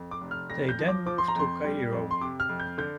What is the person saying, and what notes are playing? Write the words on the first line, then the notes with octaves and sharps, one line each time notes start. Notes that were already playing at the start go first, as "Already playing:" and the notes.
They then moved to Cairo.
Already playing: F2
D6
F1
F6
F2 A#6
G6
F3
D6
F3 D6
C6
A#5
F2 C6
G3
F2
C6
C3 D6
F6
F2
G6
D3 G6